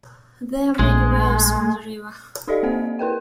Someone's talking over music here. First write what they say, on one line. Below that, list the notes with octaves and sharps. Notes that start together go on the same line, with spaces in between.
There are many weirs on the river.
A#1 G#3 A3
D#4 G4 A4 D5 D#5 F5
A#3 C4 C5 F#5
E4 A#4 B4 G5